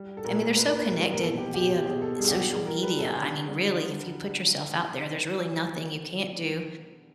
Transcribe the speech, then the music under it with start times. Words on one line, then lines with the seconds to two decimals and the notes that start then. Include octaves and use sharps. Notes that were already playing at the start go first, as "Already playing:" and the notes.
I mean they're so connected via social media. I mean really if you put yourself out there, there's really nothing you can't do.
Already playing: G3
0.17 A4
0.24 A#2 A#4
0.57 A#2 B4
0.66 A#4
0.75 B4
0.89 G3 A#4
1.13 A#4
1.21 B2 A4
1.38 G4
1.54 B2 G4
1.70 G4
1.86 B2 G#4
2.02 A4
2.18 G3 G#4
2.28 G4
2.34 F#4
2.50 G3 G#4
2.67 A#4
2.83 G3 B4
2.99 A4
3.15 D3
3.47 G3